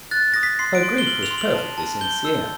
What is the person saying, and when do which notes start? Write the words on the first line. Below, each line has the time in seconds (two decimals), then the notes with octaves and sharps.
Her grief was perfectly sincere.
0.11 F#6 A6
0.34 D#6 A#6
0.43 B6
0.59 C6 C7
0.75 D7
0.83 C6
0.98 G7
1.07 F6 F#7
1.23 F7
1.31 C6
1.38 F#7
1.54 A5
1.78 A5
2.01 G6 G7
2.25 E6